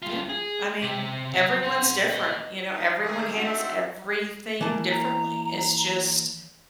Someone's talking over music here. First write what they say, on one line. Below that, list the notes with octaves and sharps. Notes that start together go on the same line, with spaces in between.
Yeah, I mean, everyone's different, you know, everyone handles everything differently. It's just
G3 F4
G#4
C3
F#3
F#5 C6
B4 D#5
D#4
C3 D#3 A3 G#4
C4 D4 D#4 F#4 E5 F#5
E3 A#3 A5
A#5